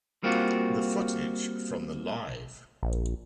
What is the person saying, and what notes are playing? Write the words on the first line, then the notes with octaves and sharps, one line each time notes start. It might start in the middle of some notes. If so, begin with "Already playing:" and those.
The footage from the Live!
G3 A#3 C4 F4 F#4
A#1